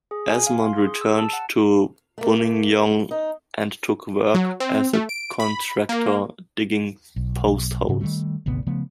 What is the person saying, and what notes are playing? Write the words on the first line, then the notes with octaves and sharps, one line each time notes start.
Esmond returned to Buninyong, and took work as a contractor digging post holes.
G#4
G#5
F5
C6
G#4
E6
A5
F#5
A3 A#3
D#4
F#3
C4
A3
D7
B5
A#3
B1
G#2 C#3
D#3 F3 G3 A3
G#1 D2 C3 B3
C#3 F3 A3 B3